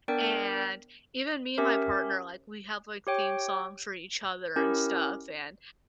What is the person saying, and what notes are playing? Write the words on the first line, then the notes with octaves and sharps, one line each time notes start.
and even me and my partner, like, we have, like, theme songs for each other and stuff and
B3 D4 A#4 D5 G5
C#4 G4 A#4 E5
G4 C#5 G5
C#4 E4 G4 A#4